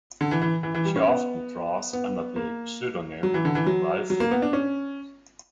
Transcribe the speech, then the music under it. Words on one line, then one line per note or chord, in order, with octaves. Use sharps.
She often draws under the pseudonym Ralphi.
D3
E3
E3
E3
E3
G3
C#4
B3
B3
A#3
F#3
E3
D3
E3
F#3
F#3
A#3
B3
D4
C#4